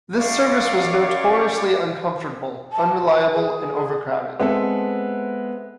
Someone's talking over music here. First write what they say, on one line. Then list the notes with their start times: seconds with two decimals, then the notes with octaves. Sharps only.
This service was notoriously uncomfortable, unreliable and overcrowded.
0.18 F#2 C#4 C#5 D5 F5
2.72 A5
3.33 G#4
4.40 G#3 B3 C4 A4 E5